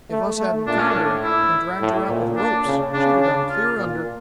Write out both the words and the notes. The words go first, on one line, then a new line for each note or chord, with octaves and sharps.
If us hadn't found her, and dragged her out with ropes, she'd have gone clear under.
A3
A3
A#2 D4
C#4
D4
A2
E4
A2
A#2
D4
C#3
C#3 D4
D4
F4
A#2